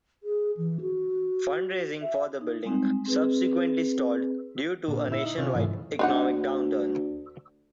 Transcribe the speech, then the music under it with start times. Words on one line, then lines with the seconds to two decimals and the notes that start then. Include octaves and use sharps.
Fundraising for the building subsequently stalled due to a nationwide economic downturn.
0.23 G#4
0.57 E3
0.81 F#4
2.02 E5
2.41 D#4
2.64 G3 G#3 C4 D#4
3.06 C4 G#4 B4
4.88 A#2 D3
5.12 E4 E5
5.25 D#4
5.38 C3 C#4 F4
5.55 G#2 E3 F3 A3
5.99 D2 D4 D#4 F#5